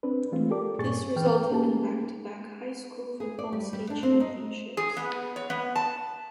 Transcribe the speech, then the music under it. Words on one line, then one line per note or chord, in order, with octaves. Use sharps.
This resulted in back-to-back High School Football State Championships.
C4 D4 B4
E3 G#3 A3 C4 F4
G4 A4 A#4 D5 D6
G2 A#2 G#4 C#6 A6
E3 B4 G5 F6
A#3 C#4 D#4 G4 G#4 A5
G#4
D5
G3
G3
D4
C4
D#4
G#4
B3
C#5
B3
A5